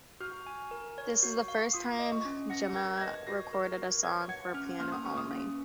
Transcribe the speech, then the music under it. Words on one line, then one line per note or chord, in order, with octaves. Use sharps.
This is the first time Gemma recorded a song for piano only.
F#4 F6
G#5
A#4
C#5
F#4
F5
F4 D#6
D#5
C#6
C#4
F#5 A#6
A#4 G#6
G#6
D#5 A#6
F#4 A#6
A#4
F#4
C#5 G#6
F#5 G#6
C#4 F6
A#3 F6
D#6
C#4 C#6
D#6
C#4